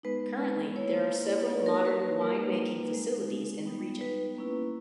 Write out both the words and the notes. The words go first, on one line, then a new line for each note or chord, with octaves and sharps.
Currently, there are several modern wine-making facilities in the region.
G#3 B3 D#4 B4
A#3 E4 C#5
A#3 D#4 C#5
A#4
B4
G3 A#3 D#4
G#3 D#4
G3 B3 D#4
B4
A#3 C#4 E4